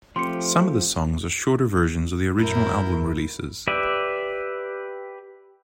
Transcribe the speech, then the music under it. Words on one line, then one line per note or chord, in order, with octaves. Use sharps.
Some of the songs are shorter versions of the original album releases.
F3 A3 C4 G4 C6 C#7
F#2 A2 E4 A#4 G6
G4 B4 D5 E5